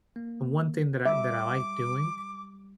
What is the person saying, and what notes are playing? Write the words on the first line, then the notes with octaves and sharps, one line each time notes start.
the one thing that I that I like doing
A#3
G3 E5 D6